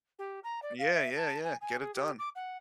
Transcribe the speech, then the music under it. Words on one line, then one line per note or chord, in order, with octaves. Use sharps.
Yeah, yeah, yeah, get it done.
G4
A#5
D5
F5
E5
A5
G#5
G#5
G#4
G4
D6
F#5